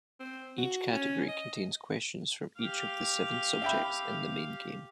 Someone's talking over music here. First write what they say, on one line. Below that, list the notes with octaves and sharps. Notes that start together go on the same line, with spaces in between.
Each category contains questions from each of the seven subjects in the main game.
C4
F#4
C#4
D#5
G4 F5
E5 G5 B5